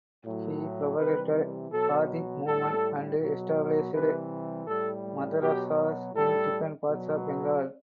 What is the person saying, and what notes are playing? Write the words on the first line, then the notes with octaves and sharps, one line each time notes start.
He propagated Hadith movement and established Madrasahs in different parts of Bengal.
A2 F#3
C3 E3 G3 B4
B2 F#3 A4
A2 G3 A4
B2 F#3
C3 E3 G3 B4
A2 G3 A4
B2 F#3 G4
A2 G3 A4
B2 F#3